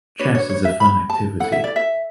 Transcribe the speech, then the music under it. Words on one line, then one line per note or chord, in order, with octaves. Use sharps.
Chess is a fun activity.
D4 F#4 B4 C#5
C#5
C#5
E5
B5
A5
E4 A4 F#5
E5
D5
E5